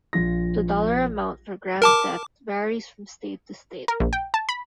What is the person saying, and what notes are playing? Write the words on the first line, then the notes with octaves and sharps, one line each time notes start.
The dollar amount for grand theft varies from state to state.
A#1 F4 A#6
A#4 A5 D6
A#4
A#1
G5
A5
B5